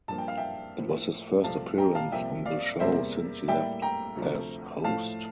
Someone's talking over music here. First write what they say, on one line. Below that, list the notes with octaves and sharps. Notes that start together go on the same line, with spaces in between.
It was his first appearance on the show since he left as host.
G2 F3 A#3 A5
G5
F5
E5 G5
A2 F3 A#3
C2 C3 F3 A3 F5 A5
G5 A#5
F5 A5
C2 C3 F3 A#3 E5 G5
D5 F5
E2 C3 G3 A#3 C5 E5
A2 G3 A#3 E5 G5
G5 A#5
D2 C3 F3 A3
A2 F3 A3 F5 A5